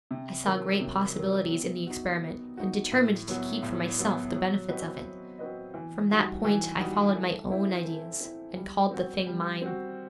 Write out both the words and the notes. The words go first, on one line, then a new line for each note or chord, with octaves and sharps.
I saw great possibilities in the experiment and determined to keep for myself the benefits of it. From that point I followed my own ideas, and called the thing mine.
C3
D#3 F#3
C3
D#3 F#3
B3
D#4 F#4
B3
D#4 F#4
A2
F#3 B3 F#4
A2
F#3 B3 F#4
F#3
C4 F#4 B4 D#5
F#3
C4 F#4 B4 D#5
E3
G3 D#4 F#4
E3
G3 D#4 F#4
A3
C4 E4
A3
C4 E4
G3
C4 F#4
G3
C4 F#4